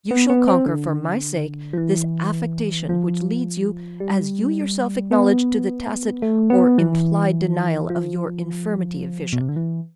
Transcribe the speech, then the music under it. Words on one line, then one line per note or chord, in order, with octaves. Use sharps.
You shall conquer, for my sake, this affectation which leads you, as you yourself acknowledge, to the tacit or implied denial of your infirmity of vision.
B3
B3
C4
D3
F3
E3
F3
G3
B3
A3
B3
E3
F3
B2
C3
D3
E3